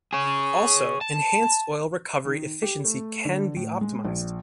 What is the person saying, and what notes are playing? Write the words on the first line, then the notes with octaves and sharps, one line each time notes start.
Also enhanced oil recovery efficiency can be optimized.
G#4 C#5
A5
D#3
G4
A3
D3
A2
G#3
A#1